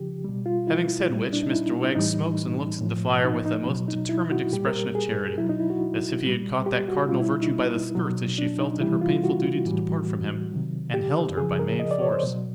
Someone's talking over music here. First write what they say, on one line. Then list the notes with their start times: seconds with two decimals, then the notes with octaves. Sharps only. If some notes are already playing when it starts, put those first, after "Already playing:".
Having said which, Mr Wegg smokes and looks at the fire with a most determined expression of Charity; as if he had caught that cardinal virtue by the skirts as she felt it her painful duty to depart from him, and held her by main force.
Already playing: C#3 F3 G4
0.24 B2 G3
0.46 F4
0.67 E4
1.10 A#2 G3
1.33 D4
1.43 D#4
1.53 E4
1.95 A2 E3 G3 D#4
2.81 A2 F3
3.25 D#4
3.46 D#4
3.67 B2 F#3
3.88 D#4
4.09 E4
4.32 F#4
4.53 A#2 G3 G4
4.67 A#4
4.95 G#4
5.38 B2 F#3 E4
5.49 D#4
5.60 E4
5.70 F#4
6.24 A#2 G3
6.66 G4
6.88 F#4
7.09 B2 F4
7.13 G3
7.20 E4
7.41 D#4
7.95 B2 F#3
8.38 D4
8.59 D#4
8.81 C3 E3 G3 E4
9.01 F4
9.24 F#4
9.66 A2 E3 G3
10.52 C3 D#3 F#3
10.94 G4
11.37 C#3 F3 G#4
11.59 A#4
11.80 D#5
11.91 D5
12.01 C#5
12.12 C5
12.23 B2 F#3